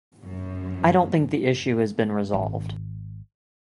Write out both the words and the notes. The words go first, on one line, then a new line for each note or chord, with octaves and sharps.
I don't think the issue has been resolved.
F#2
G#1